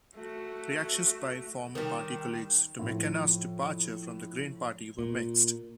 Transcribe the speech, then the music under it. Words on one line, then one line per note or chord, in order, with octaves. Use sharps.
Reactions by former party colleagues to McKenna's departure from the Green Party were mixed.
A3 F#4
D#3 G3
A2 F3
A#2